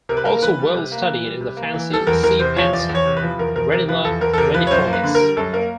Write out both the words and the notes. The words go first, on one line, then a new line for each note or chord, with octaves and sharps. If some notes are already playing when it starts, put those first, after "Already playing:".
Also well studied is the fancy sea pansy, "Renilla reniformis".
C3 A#4
B4
A#3 A#4
A#4
E3 B4
G3
C3
A#3
E3
G3
C3
A#3
E3
G3 A4
E2 A#4
E2 A#4
C3 C5
F3 C#5
E2 D5
E2
C#5
C3
B4
F3
E2 A#4
E2 A#4
C3 A#4
F3 B4
E2 A4
E2 A#4
A4
C3 A#4
F3 B4
C#5
F#2 C5
A#3
B4
D3
A#4
G3
F#2 A4
A#3 A#4